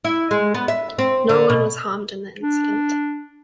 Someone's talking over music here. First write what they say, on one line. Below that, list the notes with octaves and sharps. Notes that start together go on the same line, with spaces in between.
No one was harmed in the incident.
E4
G#3
B3
E5
C4
D3
B2
D4